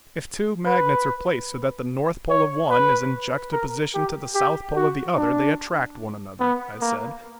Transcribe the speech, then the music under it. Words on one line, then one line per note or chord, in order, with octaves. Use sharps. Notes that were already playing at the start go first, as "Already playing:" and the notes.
"If two magnets are placed so that the north pole of one is in juxtaposition to the south pole of the other, they attract one another," I said.
B4
C#5
B4
A#4
G4
G4
F#4
D4
B3
A#3